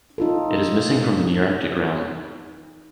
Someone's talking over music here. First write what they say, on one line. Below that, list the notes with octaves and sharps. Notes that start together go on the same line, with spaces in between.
It is missing from the Nearctic realm.
D#4 F4 A4